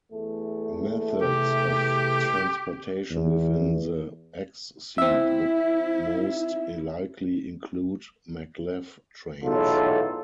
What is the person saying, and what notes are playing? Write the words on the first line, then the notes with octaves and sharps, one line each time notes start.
Methods of transportation within the X-seed would most likely include MagLev trains.
E2 A3
C3 G4
E2
C4 E4 E5
B1 E2 A2 F4 A4